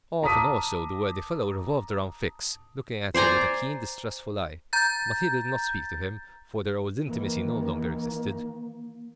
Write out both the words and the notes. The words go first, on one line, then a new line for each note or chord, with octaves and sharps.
Often, also, the worthy fellow revolved around Fix, looking at him with a keen, distrustful eye; but he did not speak to him, for their old intimacy no longer existed.
A5 A#5 D6 D#6 B6 D#7
C5 D5 G#5 A#5
A#5 G6 A6
D#3 E3 A#3